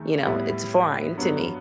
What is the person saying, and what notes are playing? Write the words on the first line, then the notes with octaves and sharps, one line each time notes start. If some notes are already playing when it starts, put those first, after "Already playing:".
you know it's foreign to me,
Already playing: E2 D#3 A3
A2 G3 B3 E4
G2 F#3 B3